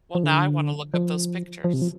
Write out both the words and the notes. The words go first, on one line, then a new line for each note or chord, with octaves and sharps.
Well, now I wanna look up those pictures.
F3
D3
F3
F3
C3
F3